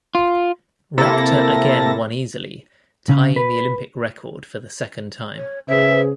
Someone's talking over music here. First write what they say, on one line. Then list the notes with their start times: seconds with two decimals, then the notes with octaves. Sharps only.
Rector again won easily, tying the Olympic record for the second time.
0.15 F4
0.98 C3 A#3 E4 A4 A6 A#6
3.09 C#3
3.36 B4
5.36 C#5
5.68 C#3 G#4 B4 C5 E5